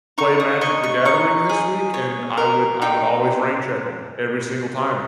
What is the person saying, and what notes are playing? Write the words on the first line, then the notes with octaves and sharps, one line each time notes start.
play Magic The Gathering this week?" And I would I would always rain check 'em, every single time,
D#4 C#6
D#6
D#5 C#6
C#6
D#4 C#6
G#4
C#5
A#4
D#4 G5